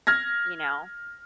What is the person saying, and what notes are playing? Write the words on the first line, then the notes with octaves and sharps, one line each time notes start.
You know?
F6 G#6 A#6